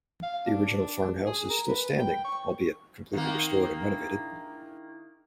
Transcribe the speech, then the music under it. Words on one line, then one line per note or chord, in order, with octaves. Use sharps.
The original farmhouse is still standing albeit completely restored and renovated.
F5
D4
G#4
A#4
B4
G5
C#6
D#3 A#3 C4 D#4 F#5
D4 E4 G#4